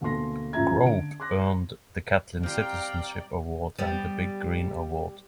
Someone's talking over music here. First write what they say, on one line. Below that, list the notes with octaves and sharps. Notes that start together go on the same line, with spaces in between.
Grobe earned the Catlin Citizenship Award and the Big Green Award.
D2 B2 A#3 A4 C6 A#6
A1 C#3 F4 E5 A#5 G#6
D3 D7
C6 D6 F#6 A#6
G3 C4 D5 F5 G5 A#5
G3 B3